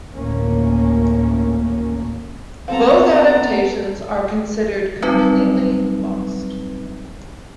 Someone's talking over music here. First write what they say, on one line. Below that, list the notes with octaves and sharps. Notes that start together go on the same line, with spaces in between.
Both adaptations are considered completely lost.
G#1 D2 A2 A#3 C#4
B3 C4 A4 F5 A#5
F#3 G3 C4 D#4 B4 E5